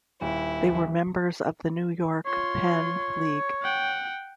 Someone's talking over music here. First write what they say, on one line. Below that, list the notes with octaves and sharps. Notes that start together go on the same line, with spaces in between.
They were members of the New York-Penn League.
D#1 E4
F4 C#5 C6
F#5 G5